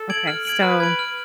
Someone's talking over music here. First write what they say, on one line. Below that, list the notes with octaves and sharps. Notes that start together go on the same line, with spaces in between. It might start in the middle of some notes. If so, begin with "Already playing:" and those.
Okay, so
Already playing: A4
G#6 D7 F#7
F6
G#6 D7 F#7
B4 F6
G#6 D7 F#7
F6